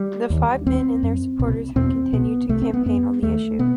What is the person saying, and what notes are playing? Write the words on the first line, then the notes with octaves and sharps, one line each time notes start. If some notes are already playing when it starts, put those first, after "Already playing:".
The five men and their supporters have continued to campaign on the issue.
Already playing: G3
D#2
D#2 C4
F#2
C2 B2
E2 B2 C4
C2 B2 B3
C2 C3 A3
C4
B3
F#2 B3
D#2 A3
B2 B3